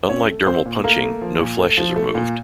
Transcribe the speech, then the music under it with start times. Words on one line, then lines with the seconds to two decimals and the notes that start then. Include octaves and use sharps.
Unlike dermal punching, no flesh is removed.
0.09 C4 C#4 C#5
0.28 A3
0.47 C4 C5
0.65 A#2
0.84 A3 A#3 A#4
1.03 A3
1.21 F3
1.40 A#2
1.59 A3
1.77 F3
1.96 A3
2.15 A#2